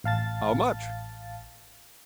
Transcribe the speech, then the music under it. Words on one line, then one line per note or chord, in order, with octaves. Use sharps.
How much?
A1 F5 A5 A6